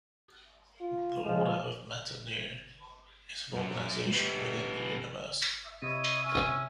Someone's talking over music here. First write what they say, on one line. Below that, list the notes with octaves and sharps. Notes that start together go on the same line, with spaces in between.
The Order of Mata Nui is an organization within the universe.
F4
F3 G#3
F#2
B3 G4
C3 E4 C#5 D#5 D#7
C#4 E5